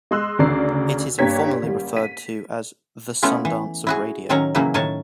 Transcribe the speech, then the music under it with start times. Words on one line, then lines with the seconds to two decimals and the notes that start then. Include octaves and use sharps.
It is informally referred to as the "Sundance of Radio".
0.11 G#3 D#5 C6 E6 F#6
0.39 D2 C#3 A#4 D5 C7
1.19 G2 A#3 G4 C#5 G#6 B6
1.63 F#1 G3
1.96 B6 D#7
3.23 A3 B3 C#4 E4 F4
3.45 E3
3.87 E4 F#4 G#4
4.29 A2 D#3 F#3 C#4 C#5 A#5
4.55 C#3 E3 F#3 A#3 E4
4.74 A2 D#3 A#4 C#5 A5